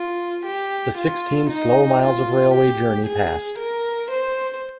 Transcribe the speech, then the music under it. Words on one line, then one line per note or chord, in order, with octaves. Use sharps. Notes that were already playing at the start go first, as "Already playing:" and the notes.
The sixteen slow miles of railway journey passed.
Already playing: F4
G4
F4
D#4
F4
G4
G#4
A#4
C5